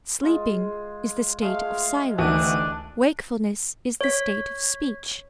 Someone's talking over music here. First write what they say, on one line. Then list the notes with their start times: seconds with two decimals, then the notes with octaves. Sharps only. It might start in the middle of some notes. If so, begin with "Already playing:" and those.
Sleeping is the state of silence; wakefulness is the state of speech.
0.23 G#3 F4
1.42 G#3 A3 F5
2.18 D2 D#3 E3 D4 F#4 D#7
4.01 C#5 B6